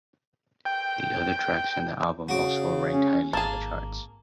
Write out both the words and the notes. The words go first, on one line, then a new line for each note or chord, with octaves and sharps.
The other tracks in the album also ranked highly in the charts.
G5
C#3 F#4 D6
C#4
G#1 A#3 G#4 A5